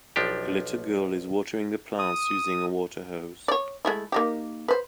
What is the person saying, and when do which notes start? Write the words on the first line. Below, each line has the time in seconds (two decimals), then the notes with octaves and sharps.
A little girl is watering the plants using a water hose.
0.16 B1 F3 D4 G4
1.99 D#6
3.48 C#5 D5
3.85 G#3 A3 E4
4.12 A#3 D#4 G4
4.68 B4 C5